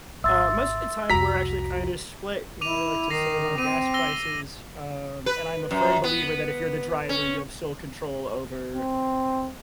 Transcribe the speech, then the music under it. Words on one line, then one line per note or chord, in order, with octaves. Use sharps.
Uh, most of the time, we're actually kinda split, you know, we like to save on gas prices, um, and I'm a firm believer that if you're the driver, you have sole control over
G#1 E5 C6 E6 A6
C2 F2 F#4 A#5 B6
E4 D6 D#7 F7
D#3 A#6 C7
C4 D6 D#7
E6 A#6 G7
B4
F#2
B3
C#4
C4